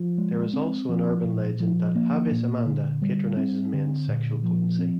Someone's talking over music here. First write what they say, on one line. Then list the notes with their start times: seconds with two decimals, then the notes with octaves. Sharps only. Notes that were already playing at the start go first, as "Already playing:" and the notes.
There is also an urban legend that "Havis Amanda" patronizes men's sexual potency.
Already playing: F3
0.18 G#3
0.53 C4
0.89 F3
1.25 A#2
1.60 F3
1.95 A#3
2.32 A#2
2.66 D3
3.02 G3
3.37 C4
3.73 D3
4.08 A#2
4.43 F3
4.79 C4